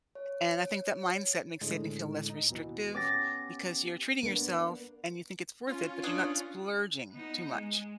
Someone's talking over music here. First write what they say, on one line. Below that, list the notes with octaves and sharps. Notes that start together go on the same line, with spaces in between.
and I think that mindset makes saving feel less restrictive because you're treating yourself and you think it's worth it, but you're not splurging too much.
C#5
A2 D3 G#3
D#4
D#2 B2 E3
B3 C#4 G4 D6 A6 A#6
A#3 B3 D4
C#4 F4
D4 C#5 D#6
B3 D#4
G#3